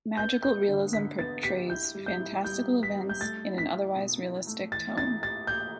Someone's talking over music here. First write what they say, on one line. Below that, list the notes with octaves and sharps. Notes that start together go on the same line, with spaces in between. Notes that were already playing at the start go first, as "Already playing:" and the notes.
Magical realism portrays fantastical events in an otherwise realistic tone.
B3 G6
B4 G6
D3
D3 B6
B3 A6
G4 B6
E4 G6
G3
G6
E4
G3 G6
B3
B6
G3
G6
A3 A6
E4
B6
E4
B2
E4
A3
E3 A6
E3 A6
G4 A6
G4 G6